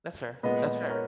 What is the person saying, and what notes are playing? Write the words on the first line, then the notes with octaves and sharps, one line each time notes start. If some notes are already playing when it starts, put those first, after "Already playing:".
That's fair that's fair,
A#2 G#3 B3 B4 D#5
A#4 C#5